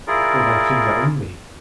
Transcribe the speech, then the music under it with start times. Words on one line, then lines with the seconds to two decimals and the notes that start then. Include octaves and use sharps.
Or thy finger only!
0.07 E4 F4 G#4 A#4 D5